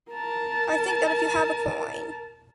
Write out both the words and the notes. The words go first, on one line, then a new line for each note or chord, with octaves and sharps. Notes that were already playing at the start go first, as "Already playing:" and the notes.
I think that if you have a coin.
A#4 A5